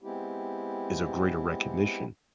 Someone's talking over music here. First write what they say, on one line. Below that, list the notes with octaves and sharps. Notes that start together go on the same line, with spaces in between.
is of greater recognition.
G#3 B3 C4 E4 G4